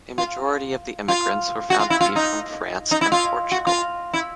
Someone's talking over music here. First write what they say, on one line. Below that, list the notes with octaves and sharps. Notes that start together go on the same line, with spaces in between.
A majority of the immigrants were found to be from France and Portugal.
F4
F4
F#4
F4
E4
F4
D#4
D#4
E4
F4
F#4
F4
E4